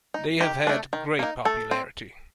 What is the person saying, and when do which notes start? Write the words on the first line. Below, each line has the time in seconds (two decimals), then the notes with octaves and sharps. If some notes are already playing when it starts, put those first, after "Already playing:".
They have had great popularity.
0.14 D#4
0.41 D#3 G4
0.67 A3 D4
0.93 D#3
1.19 A#3 D#4
1.45 A3 A4
1.71 C4